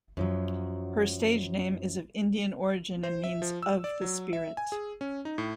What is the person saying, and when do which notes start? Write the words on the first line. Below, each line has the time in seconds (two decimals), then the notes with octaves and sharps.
Her stage name is of Indian origin and means "of the spirit".
0.17 F#2 F3 F#3
3.03 C5
3.24 E5
3.42 F3
3.62 E6
3.84 D5
4.01 F#3
4.33 E5
4.57 G#5
4.72 G#4
5.01 C#4
5.25 D#4
5.38 A2